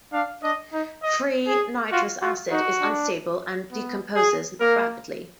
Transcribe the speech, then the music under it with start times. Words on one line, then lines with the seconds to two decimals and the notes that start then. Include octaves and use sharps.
Free nitrous acid is unstable and decomposes rapidly.
0.13 D4 F5
0.43 D4 D#5
0.73 D#4
1.03 D#5
1.47 G#4
1.92 F4 F#4
2.22 F4 F#4
2.51 D#4 F#4
2.81 D4
3.71 B3
4.15 G#4
4.60 A#3 A#4